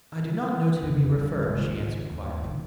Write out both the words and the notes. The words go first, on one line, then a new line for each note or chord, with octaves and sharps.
"I do not know to whom you refer," she answered quietly.
F2 C#3
G3
C#2
D#3 F4
D#2
D#3